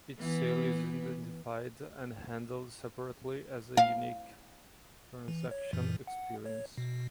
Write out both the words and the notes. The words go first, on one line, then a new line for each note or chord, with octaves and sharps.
Each sale is identified and handled separately as a unique transaction experience.
E3 B3
F5
E3
C#5
F#2 A#2 E3
F#5
C#5
B2